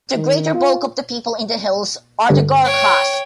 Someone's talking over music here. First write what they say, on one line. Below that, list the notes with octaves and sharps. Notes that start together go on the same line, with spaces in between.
The greater bulk of the people in the hills are the Gorkhas.
D#3
F4
G2 D3
C#5 G5